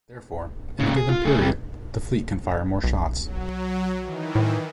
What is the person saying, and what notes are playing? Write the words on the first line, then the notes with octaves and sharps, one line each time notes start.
Therefore, in a given period, the fleet can fire more shots.
A#2 C#3
G#4
F4
A3 G#4
C3 G3
B1
F#3
D#3 E3
A2